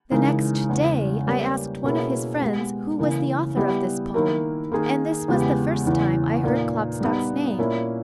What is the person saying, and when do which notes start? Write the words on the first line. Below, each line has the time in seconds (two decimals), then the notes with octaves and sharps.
The next day I asked one of his friends who was the author of this poem, and this was the first time I heard Klopstock's name.
0.11 C#3 E3 G#3 D#4 A#4
0.69 E2 C#3 G#3
1.27 G3 A#3 C#4 G4
1.84 B2 A#3 C#4 E4 G#4
2.41 G#3 B3 G4
2.99 C#3 E3 A#3
3.56 G3 B3 E4 G4
4.14 D#3 A#3 E4 A#4
4.72 D#3 A#3 D#4 G#4
5.28 E2 C#3 G#3 B3 G4
5.86 E2 C#3 E3
6.44 A#2 A#3 D#4
7.00 G3 B3 D#4
7.58 A#2 A#3 C#4 E4